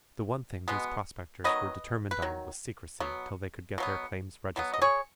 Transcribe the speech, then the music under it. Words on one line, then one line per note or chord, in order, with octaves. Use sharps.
The one thing these prospectors were determined on was secrecy till they could get their claims registered.
B2 G#3 B3
D#3 F#3 B3 B4 D#5
B4
D#3 F#3
B2 F#3 B3
B2 F#3 B3
B2 F#3 B3
D#5
G#4 C#5